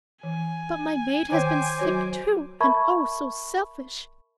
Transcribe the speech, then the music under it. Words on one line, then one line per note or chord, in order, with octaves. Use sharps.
But my maid has been sick, too; and oh, so selfish!
E3 G#5
D#3 C5 C#5 G5 D6
F#3 F#4 C#5
A#4 E5 A5 B5 C#6 G#6